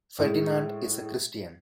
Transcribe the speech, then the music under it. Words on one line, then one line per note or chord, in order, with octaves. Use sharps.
Ferdinand is a Christian.
A2 G#3